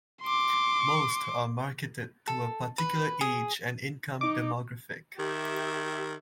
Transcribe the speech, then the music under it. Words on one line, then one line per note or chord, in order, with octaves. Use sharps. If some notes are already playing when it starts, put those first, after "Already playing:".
Most are marketed to a particular age and income demographic.
C6 D6
A4
B4
G#4
D#4 D6
D#3 G4 E5